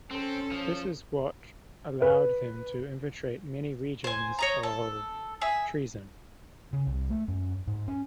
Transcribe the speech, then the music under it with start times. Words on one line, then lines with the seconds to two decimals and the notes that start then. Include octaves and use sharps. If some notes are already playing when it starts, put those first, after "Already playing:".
This is what allowed them to infiltrate many regions of Treason.
0.11 C4 C#4 A4
0.51 F3
2.02 B4
4.04 C5 G#5
4.39 C#5 D#5 A#5
4.63 A4
5.41 G#4 E5
6.73 C#3
6.87 C2
7.10 A3
7.28 F#2
7.67 G#2
7.88 C#4